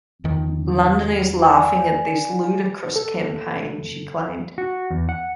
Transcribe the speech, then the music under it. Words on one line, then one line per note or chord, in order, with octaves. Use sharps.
"London is laughing at this ludicrous campaign", she claimed.
E2 D#3 F3
D5 G#5
A4
F#4
E2
F#5